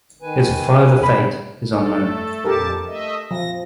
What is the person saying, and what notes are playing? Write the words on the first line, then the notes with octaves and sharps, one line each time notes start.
His further fate is unknown.
D#3 B4 G#5
E2
B5
A3 A4
F2 A#2 G4 A4 A#4 A5
A3 D#5 E5
F3 A#6